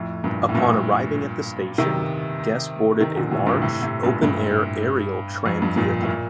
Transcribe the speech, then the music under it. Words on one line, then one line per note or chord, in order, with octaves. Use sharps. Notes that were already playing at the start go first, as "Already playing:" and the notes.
Upon arriving at the station, guests boarded a large, open-air aerial tram vehicle.
Already playing: F2 A2
G2 A#2
A2
G2 A#2
C3 D#3
C3 D#3
A#2 D3
A2 C3
G2 A#2
A2 C3
A2 C3
G2 A#2
G2
F2
G2
G2 A#2
A2
A#2